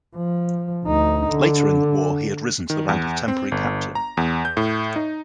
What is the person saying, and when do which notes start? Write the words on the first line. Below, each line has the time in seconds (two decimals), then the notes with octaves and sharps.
Later in the war he had risen to the rank of temporary captain.
0.16 F3
0.85 D2 D#4
1.30 D3
2.70 D#3
2.89 E2
3.28 C4
3.52 G1
3.95 A#5
4.17 E2
4.45 G6
4.57 A2
4.96 D#4